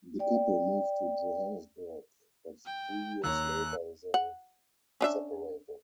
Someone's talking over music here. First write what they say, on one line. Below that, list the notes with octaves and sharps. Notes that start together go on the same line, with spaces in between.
The couple moved to Johannesburg, but three years later they separated.
D5 G5
G5
D#2 C#5 A#5 E6 F#6
F#5
C#4 D4 E5